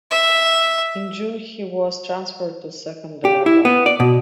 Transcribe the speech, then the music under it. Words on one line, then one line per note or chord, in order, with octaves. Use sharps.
In June he was transferred to Secunderabad.
E5
G4
E4
B3
D5
B2